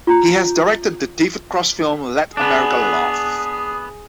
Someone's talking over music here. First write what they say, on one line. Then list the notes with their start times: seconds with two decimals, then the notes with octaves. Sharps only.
He directed the David Cross film "Let America Laugh".
0.07 F4 A#5
2.37 B3 D4 G#4